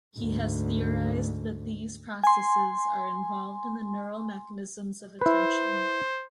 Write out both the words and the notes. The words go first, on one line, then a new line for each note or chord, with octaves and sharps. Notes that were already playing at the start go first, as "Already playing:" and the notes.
He has theorized that these processes are involved in the neural mechanisms of attention.
D2 G#2
G#5 C6
E4 B4 C5